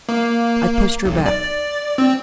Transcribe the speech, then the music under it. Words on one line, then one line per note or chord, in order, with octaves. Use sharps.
I pushed her back.
A#3
B1
D5
C4